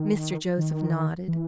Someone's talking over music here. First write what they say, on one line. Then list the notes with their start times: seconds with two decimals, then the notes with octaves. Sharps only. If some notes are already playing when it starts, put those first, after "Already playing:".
Mr. Joseph nodded.
Already playing: D#3
0.58 D#3
1.28 E3